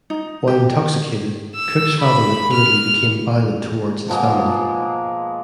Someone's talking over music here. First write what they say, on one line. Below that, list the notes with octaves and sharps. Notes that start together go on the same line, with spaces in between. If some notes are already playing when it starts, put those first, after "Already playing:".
While intoxicated, Cook's father reportedly became violent towards his family.
D#4
G4
E6
B5
F6
B2 F3 G#3 A#3